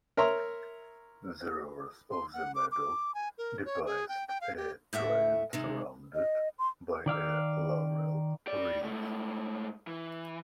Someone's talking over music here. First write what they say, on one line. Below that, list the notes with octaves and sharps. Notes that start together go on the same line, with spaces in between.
The reverse of the medal depicts a trident surrounded by a laurel wreath.
A#4 C#5 E5 A#5 C6
C6
F#5
D6
D6
G#5
A#4
C#5
G#4
G5
G5
F5
G4
A2 A3 E5 F#5
C3 D#3 G#3
D#5
C6
D#3 D5 F5 E6
G4 D5
G#2 A3
E3